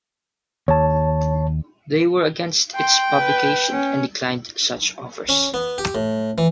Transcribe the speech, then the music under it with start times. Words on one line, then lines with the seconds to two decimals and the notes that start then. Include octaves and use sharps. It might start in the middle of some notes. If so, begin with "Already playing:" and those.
They were against its publication and declined such offers.
0.68 D#2 C#5 A5
2.76 G5 C6
3.16 B4
3.71 C#4
5.29 C#4
5.54 B3
5.78 G4
5.95 A2
6.38 E3